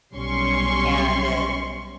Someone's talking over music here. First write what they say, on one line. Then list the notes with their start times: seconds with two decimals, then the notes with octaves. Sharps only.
and, uh,
0.13 B1 G3 C#4 C6 C#6